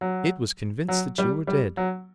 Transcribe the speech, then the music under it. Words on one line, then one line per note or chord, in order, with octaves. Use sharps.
It was convinced that you were dead.
F#3
F#3
G3
G3
F#3